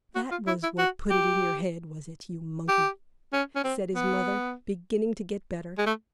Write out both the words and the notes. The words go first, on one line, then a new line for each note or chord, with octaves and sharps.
"That was what put it in your head, was it, you monkey?" said his mother, beginning to get better.
F#4
F4
E4
E4
F#4
G4
G4
C#4
C#4
C4
B3
G#3
A3